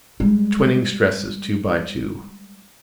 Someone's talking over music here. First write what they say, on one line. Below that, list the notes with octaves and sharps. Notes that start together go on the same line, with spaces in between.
The twining stresses, two by two.
G3 G#3